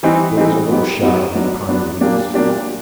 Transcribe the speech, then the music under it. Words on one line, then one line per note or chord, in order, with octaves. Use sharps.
There was a little shower of pine needles.
E3 G3 C4 D#4
E3 G3 C4 D#4
F#3 B3 D#4 G4
F#3 B3 D#4 G4
F#3 B3 D4
F#3 B3 D4
A#2 F#3 A#3 D4 G4
A#2 F#3 A#3 D4 G4